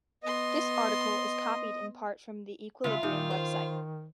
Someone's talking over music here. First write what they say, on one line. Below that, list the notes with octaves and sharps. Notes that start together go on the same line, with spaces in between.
This article is copied in part from the Equilibrium website.
B3 D#5 C6
C#3 G#3 F4 E5
A#2 D#3 D#4
C5